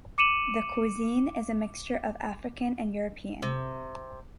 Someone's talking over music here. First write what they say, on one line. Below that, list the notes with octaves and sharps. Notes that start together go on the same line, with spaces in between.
The cuisine is a mixture of African and European.
D6 C#7 D#7 E7 F#7
C3